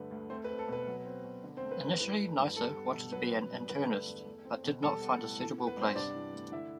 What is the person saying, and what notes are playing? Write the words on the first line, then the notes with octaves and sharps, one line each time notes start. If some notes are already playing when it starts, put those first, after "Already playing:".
Initially Neisser wanted to be an internist, but did not find a suitable place.
Already playing: G2 D3 A3 B4
D2
A3 C4 C5
B4
C4
A4
B2 B4
F#3
C4
B2
D3
C4 C5
A3
B4
G2 B4
E3 B4
A3
G2
G3 A4
B3
B2
F#3 B4
B3
G2
D3 B4
A3
E2
A3
C4
B2
G3 A4
B3
A2
E3 A4
B3
B4
G2 C4 C5
C3 D4 D5
E3
D2
D3 E4 E5